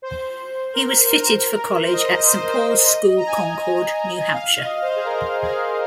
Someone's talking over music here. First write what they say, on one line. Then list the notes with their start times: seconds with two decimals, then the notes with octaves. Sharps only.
He was fitted for college at Saint Paul's School, Concord, New Hampshire.
0.02 C5
0.74 A#4
1.10 A#4
1.46 A#4
1.82 C5
1.93 D#5
2.04 C5
2.14 D#5
2.26 C5
2.37 D#5
2.48 C5
2.89 D#5
3.17 A#5
3.26 G#5
4.33 F5
4.58 D#5
4.82 C5
4.96 G#4
5.05 A#4
5.42 G#4